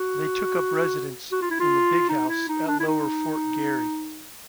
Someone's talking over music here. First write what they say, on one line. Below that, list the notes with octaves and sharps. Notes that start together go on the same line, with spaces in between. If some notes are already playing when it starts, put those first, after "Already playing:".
They took up residence in the "Big House" at Lower Fort Garry.
Already playing: F#4
F#4
F4
E4
F4
D#4
E4
D#4
D4
E4
D#4